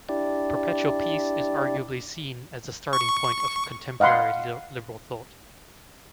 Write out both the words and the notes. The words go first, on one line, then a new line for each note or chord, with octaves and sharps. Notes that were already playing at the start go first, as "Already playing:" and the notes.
Perpetual peace is arguably seen as the starting point of contemporary liberal thought.
D4 E4 G4 D5
C#6
D#5 F5 F#5 B5 C6